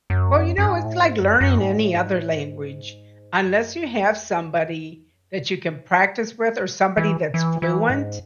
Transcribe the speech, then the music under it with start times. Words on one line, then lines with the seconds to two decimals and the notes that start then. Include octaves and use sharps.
Well, you know, it's like learning any other language Unless you have somebody that you can practice with or somebody that's fluent,
0.10 F#2
0.58 F#2
0.66 G#2
0.85 A2
1.02 G#2
1.21 F#2
1.41 F#2
1.58 G#2
1.77 A2
1.95 G#2
2.14 A2
2.33 G#2
3.45 F#2
4.00 E2
5.12 F#2
6.78 E3
6.97 E3
7.34 E3
7.62 E3
7.90 G#2